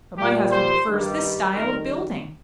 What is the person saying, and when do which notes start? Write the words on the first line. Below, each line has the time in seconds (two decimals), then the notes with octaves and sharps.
"But my husband prefers this style of building."
0.18 A#2 G3 G4
0.52 C5
0.86 G2 D#3 G3
1.54 F2 D#3 G3 A#4